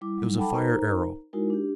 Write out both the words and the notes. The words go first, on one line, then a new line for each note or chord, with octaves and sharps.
It was a fire-arrow.
G3 E4 D6
F#3 G3 D#4
A4 F#5 G5 A5 B5 D6
D#4 A#4 C5 A#5
G#3 D#4 E4 F#4 A#4
D4 G4